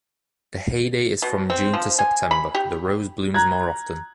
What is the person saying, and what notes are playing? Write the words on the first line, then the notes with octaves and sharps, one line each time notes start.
The heyday is from June to September, the rose blooms more often.
B2
C4
F3
G#5
B5
G4
A#5 F#6 G#6